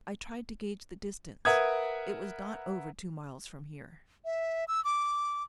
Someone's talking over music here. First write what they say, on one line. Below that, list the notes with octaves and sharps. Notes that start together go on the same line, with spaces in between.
I tried to gauge the distance; it was not over two miles from here.
A#4 B4 E5 F#5 D#6 G#6
E5
E6
D6